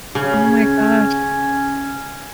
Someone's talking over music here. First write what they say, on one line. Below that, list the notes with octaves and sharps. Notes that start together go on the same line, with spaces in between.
Oh my gosh.
C#3 C#4